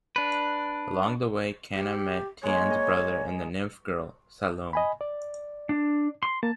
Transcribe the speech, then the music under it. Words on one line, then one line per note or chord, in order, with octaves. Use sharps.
Along the way, Kana meet Tien's brother and the Nymph girl, Salome.
D4 B4
G4
G#3 A#3 C#5
G#4 D#5
D#5 G#5 B5
D5
D4
C6
A#3 A5